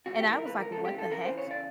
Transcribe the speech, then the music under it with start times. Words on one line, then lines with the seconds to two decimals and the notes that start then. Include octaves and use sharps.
and I was like, "What the heck?"
0.06 C#2 F#4
0.19 G4
0.23 E3
0.32 A#4
0.41 C#2 B4
0.58 C#2 A#4
0.72 A4
0.77 C#3
0.85 G4
0.94 E3 A4
1.11 C#3 A#4
1.25 E3 C5
1.38 C#5
1.46 C#3 D5